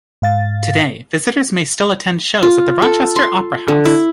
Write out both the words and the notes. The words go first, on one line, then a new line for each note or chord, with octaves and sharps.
Today, visitors may still attend shows at the Rochester Opera House.
G#2 F5 A6
F4
A4
C6
D3
E4